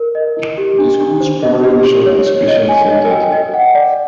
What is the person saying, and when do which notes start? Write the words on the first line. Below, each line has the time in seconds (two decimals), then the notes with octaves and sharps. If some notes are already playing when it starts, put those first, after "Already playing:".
The school's primary mission is patient centered.
Already playing: A#4
0.15 D#5
0.37 E4
0.58 G4
0.78 D4
1.00 D4
1.20 C5
1.42 D#5
1.64 G4
1.85 G4
2.06 C#5
2.26 C#5
2.48 D#5
2.69 G#5
2.90 D#5
3.11 G5
3.32 D#5
3.54 F#5
3.75 D5